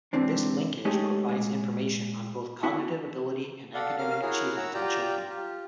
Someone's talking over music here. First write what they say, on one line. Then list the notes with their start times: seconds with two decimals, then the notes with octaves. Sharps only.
This linkage provides information on both cognitive ability and academic achievement in children.
0.13 G#2 C3 E3 C4 D4
0.85 G#3 A3 C#4 D#4 G4 G#4
1.28 A#2 G#3
2.63 B3 E4 F#4
3.74 A4 D5 F5 F#5
3.98 C#4 A#4 F5 F6
4.22 E4 F#4 G#4 A#4 C#5
4.57 F#5 A#5 E6
4.74 F4 G4 D5 G5 A#5
5.29 F4 G4